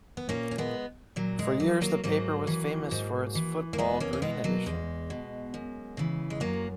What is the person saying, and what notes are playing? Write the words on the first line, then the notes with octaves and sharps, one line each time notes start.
For years the paper was famous for its "Football Green" edition.
B3
A#2 A#3 C#4
C#4
G#3 B3
A#2 F#3
G#3
F#3 A#3
F#3 A#3
G#2 F#3 A#3
E3
G#2
E3
A#3
E2 G#3 B3
A#3 C#4
C#4
B2 G#3 B3
F#3 A#3
E2 G#3
B2
F#2
C#3 E3
G#3
F#2 F#3 A#3